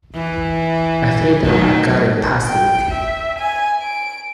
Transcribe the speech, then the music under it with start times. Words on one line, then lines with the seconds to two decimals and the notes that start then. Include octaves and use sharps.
I feel that I've gotten past it.
0.14 E3
1.43 D#3 F#3 A3
2.46 G5
2.89 E5
3.38 G#5
3.82 D7